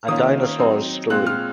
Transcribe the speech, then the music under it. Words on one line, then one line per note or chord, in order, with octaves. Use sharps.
A Dinosaur's Story.
D#3 A#3 C#4 F4 D#6
F#3 C4 D#4
A#2 G#3 C4 F4 F#6
F6